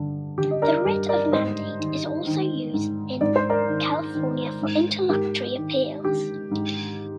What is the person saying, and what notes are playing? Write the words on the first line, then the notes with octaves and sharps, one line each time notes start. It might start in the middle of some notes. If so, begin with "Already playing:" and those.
The writ of mandate is also used in California for interlocutory appeals.
Already playing: G2 D3
D3 G4
D#5
A#4 D5
G2 G4 A#4
A#4 D5
G#2 C5 D#5
D#3
D#3
G#2
G#2 D5
C5
A#4 D5
D#3
D#3
G#2
G#2 G4 A#4
D#3
D#3 G4
G#2